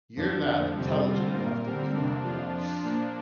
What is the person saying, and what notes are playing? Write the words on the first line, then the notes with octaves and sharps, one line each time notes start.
you're not intelligent enough to be my boss.
F2 F3 D4
F2 D3 F3
F2 C3 G3 C4
D3 G3 C4 F4
A#2 A#3 F4 A#4
D3 G3 C4 A#4
C3 A#3 D4
F2 F3 D4 F4
F3 D4 F4
A#2 F3 A#3 D4